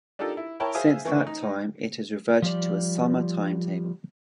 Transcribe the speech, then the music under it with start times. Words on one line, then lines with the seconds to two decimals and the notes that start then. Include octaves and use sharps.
Since that time it has reverted to a summer timetable.
0.19 D4 D#4 F4 G4 A4 A#4
0.37 E4
0.60 E4 A#4 C#5 G5 A5 B5
0.75 G#4 C5 E5 F5 G#5 D#6
1.05 D#3 E3 A3 A#3 C#4
1.27 D#4
2.42 F3 G3 D5